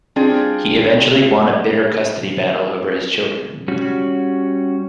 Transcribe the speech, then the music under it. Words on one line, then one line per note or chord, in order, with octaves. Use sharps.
He eventually won a bitter custody battle over his children.
G3 C4 D4 F4 G#4
G3 C#4 F#4